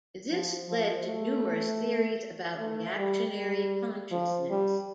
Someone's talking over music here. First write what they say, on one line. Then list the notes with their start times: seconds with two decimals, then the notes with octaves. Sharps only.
This led to numerous theories about reactionary consciousness.
0.30 F3
0.69 F3
1.06 A3
2.58 A3
2.97 G3
3.35 G3
4.11 F3
4.50 G3